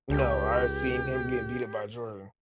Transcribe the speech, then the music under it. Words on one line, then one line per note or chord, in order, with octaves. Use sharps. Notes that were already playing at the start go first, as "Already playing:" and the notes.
No, I've seen him get beat up by Jordan.
C#2 G4